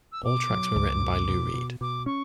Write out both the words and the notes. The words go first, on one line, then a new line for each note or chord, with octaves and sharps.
All tracks were written by Lou Reed.
E6
B2 D6
F#3
C#2
B2
B2
B2
B2 D6
C#4 C#6